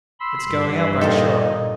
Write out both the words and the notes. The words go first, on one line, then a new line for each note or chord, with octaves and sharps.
"It's going up; I'm sure."
B5 C6 E6
G2
A#2 C4 D#4 A4 D#5